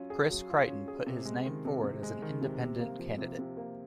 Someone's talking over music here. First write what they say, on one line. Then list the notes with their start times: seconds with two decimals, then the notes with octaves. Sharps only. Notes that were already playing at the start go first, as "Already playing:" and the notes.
Chris Creighton put his name forward as an independent candidate.
Already playing: F#3 C#4 F4
0.10 G#4
0.30 F#3
0.49 F4
0.68 C#4
0.88 G#4
1.07 C3
1.25 G#3
1.46 D#3
1.65 C3
1.83 C3
2.03 G#3
2.22 D#3
2.41 C3
2.61 C3
2.80 A#3
2.99 F3
3.18 C3
3.39 C3
3.57 A#3